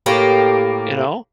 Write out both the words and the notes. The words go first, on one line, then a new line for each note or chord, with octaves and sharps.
you know?
A2 A#3 G4